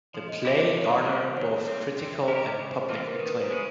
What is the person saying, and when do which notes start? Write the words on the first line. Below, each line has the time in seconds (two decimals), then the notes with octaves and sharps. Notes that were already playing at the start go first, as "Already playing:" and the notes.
The play garnered both critical and public acclaim.
0.14 F3 D5
0.29 D#5
0.45 A3 C#4 E4 G4 D#5
0.60 D5
0.75 D3 C#5
1.05 G3 A#3 C5
1.37 D#3 C#5
1.67 G3 C4
1.97 C4 D5
2.13 E5
2.28 E4 G4 A#4 D#5
2.44 D5
2.59 C#3 C5
2.74 C5
2.89 E3 G3 C4 F4 B4
3.04 A#4
3.19 D#3 B4
3.40 C5
3.51 G#3 C#4 E4 G#4